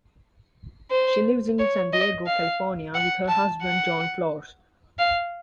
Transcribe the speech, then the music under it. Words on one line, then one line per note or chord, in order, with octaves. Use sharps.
She lives in San Diego, California, with her husband, Jon Flores.
C5
C#5
D#5
F5
F#5
A5
F#5
F5